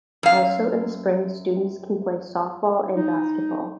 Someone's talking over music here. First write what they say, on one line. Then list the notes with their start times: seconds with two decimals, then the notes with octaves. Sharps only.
Also in the spring students can play softball and basketball.
0.23 F#2 F5
2.94 D#4